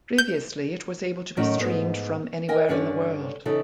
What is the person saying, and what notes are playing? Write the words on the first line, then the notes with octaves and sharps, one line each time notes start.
Previously it was able to be streamed from anywhere in the world.
G6
A2 D#3 F#3 C#4
G#2 B3 D#4
A#4 D#5 G5 G#5
G2 D3 C#4 C#5 D5
C#3 E3 D#4 A4